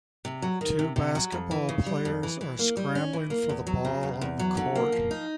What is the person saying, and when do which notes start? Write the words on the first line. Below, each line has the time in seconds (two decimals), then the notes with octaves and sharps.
Two basketball players are scrambling for the ball on the court.
0.25 C3
0.42 F#3
0.61 D#3
0.79 C3
0.96 C3
1.15 F#3
1.32 F2
1.51 E3
1.69 C#3
1.86 G3
2.05 F2
2.23 E3
2.41 E3
2.59 A#3
2.77 G3
2.95 C#4
3.13 E3
3.30 A#3
3.49 E2
3.67 F#3
3.85 C#3
4.03 E2
4.21 E2
4.39 F#3
4.57 D3
4.75 A#3
4.92 F3
5.11 D#4